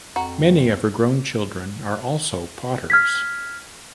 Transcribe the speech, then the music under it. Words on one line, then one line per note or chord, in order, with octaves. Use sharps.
Many of her grown children are also potters.
F2 F#4 A#5
F6 G#6 B6